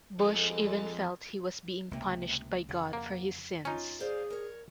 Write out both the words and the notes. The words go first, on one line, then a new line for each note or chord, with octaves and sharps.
Bush even felt he was being punished by God for his sins.
F2 F3 G#3 A4
C#2 A2 C3 A#3
F2 C#3 F#5
A#3
C#4 D#4 F4
G#4 C5 D5 F5
A#4 C#5